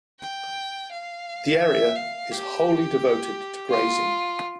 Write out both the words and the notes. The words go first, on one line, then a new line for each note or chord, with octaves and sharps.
The area is wholly devoted to grazing.
G5
F5
E5
F5
G4
F4